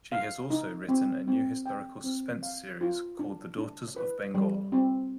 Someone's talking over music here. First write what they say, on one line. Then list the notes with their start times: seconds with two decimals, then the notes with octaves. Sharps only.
She has also written a new historical suspense series called The Daughters of Bengal.
0.12 F5
0.50 D#4
0.89 C4
1.28 C4
1.66 G5
2.04 C4
2.43 F5
2.81 F4
3.19 D4
3.58 D4
3.96 B4
4.35 G3
4.72 C4